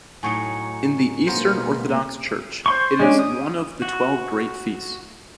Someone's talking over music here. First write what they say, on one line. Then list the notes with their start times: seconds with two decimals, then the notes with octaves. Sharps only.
In the Eastern Orthodox Church, it is one of the twelve Great Feasts.
0.23 A2 F#3 D#4 G#5 C#6 C#7
1.27 B2 G#3 A#3 B3 A#4 C5
2.66 C5 C6 C#6
2.99 G#3 C#4 D4
3.19 D#6
3.82 F#4